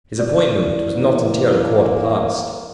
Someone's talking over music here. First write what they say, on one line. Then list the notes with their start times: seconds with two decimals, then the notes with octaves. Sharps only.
His appointment was not until a quarter past.
0.19 E3 D5
0.96 A#3